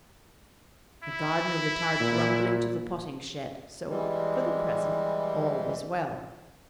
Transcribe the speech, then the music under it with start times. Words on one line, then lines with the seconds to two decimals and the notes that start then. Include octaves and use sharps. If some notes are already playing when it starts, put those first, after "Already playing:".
The gardener retired grumbling to the potting shed, so, for the present, all was well.
1.04 E4
2.00 A#2
3.89 E3 G3 G#3